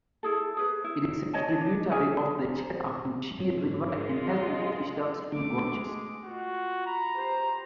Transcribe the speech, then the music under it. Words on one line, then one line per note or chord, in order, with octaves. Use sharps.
It is a tributary of the Chattahoochee River and has no official stream gauges.
E4 G#4 A4
G#4 B4
E4
C#5 D#5 G#5 A5
D4
C#4 E4 G#4 G#5
C5 A#5
G#2 C4 C#5
G#3 F4 A#4
F#3 D#5
A3 D6
G#3
F4 F#4
A#5 B5
G4 C5